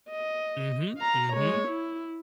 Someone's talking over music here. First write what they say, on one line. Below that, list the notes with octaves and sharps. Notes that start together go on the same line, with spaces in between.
Mhm, mhm.
D#5
F5 A#5
G#3 C#5
E4